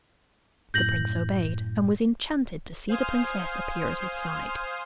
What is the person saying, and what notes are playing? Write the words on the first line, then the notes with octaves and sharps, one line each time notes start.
The prince obeyed, and was enchanted to see the princess appear at his side.
F#2 A2 G6 A#6 F#7
C5 F5 G#5 C6 D#6 F6